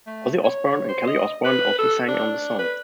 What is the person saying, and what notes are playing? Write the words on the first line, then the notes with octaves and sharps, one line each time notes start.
Ozzy Osbourne and Kelly Osbourne also sang on the song.
A3
C#5
C5
D#5
B4
A4
D4
B4